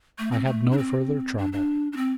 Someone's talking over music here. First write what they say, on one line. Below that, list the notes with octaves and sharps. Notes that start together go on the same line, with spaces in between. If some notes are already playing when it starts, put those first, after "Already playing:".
I had no further trouble.
A3
C4
A3
D4
C4
D4
D4
D4
C4